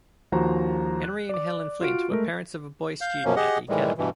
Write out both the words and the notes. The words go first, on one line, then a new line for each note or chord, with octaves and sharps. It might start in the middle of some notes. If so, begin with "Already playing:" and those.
Henry and Helen Flynt were parents of a boy student at the academy.
D#2 F3 F#4 C5 A#5
F#6
D5 D6
F4 F#4 F6 D7
G#3 A3 A#4
F5 G6
F#2 B2 F3 A#3 C#4
G4 G#4 D#5 F#5
A2 D#3 E3 G3 G#3
G2 B2 E3